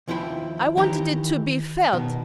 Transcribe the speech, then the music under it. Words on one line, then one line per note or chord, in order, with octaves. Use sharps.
I wanted it to be felt....
D#2 F3 E4 E5 G5 B5
D#3 E3 G4 A#5
B2 D#3 B3 F#4